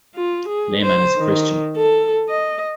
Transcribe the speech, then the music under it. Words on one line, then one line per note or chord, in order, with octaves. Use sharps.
Lehman is a Christian.
F4
G#4
C5
D#3
A4
D#5